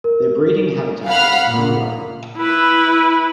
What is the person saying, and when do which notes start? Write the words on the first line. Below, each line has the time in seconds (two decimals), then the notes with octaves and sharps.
Their breeding habitat is tundra.
0.04 A#4
1.08 F5 F#5 B5 F6
1.47 A#2
2.37 E4 B4